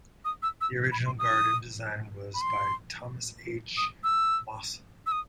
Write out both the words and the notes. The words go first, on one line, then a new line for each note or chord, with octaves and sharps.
The original garden design was by Thomas h. Mawson.
D#6
E6
E6
B5
C6
D#6
B5
C6
D#6
E6
E6
D#6